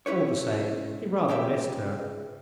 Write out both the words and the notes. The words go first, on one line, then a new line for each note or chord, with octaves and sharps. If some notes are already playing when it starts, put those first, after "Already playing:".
All the same, he rather missed her.
C#4 E4 B4 C#5
C#2 C#3 G4 E5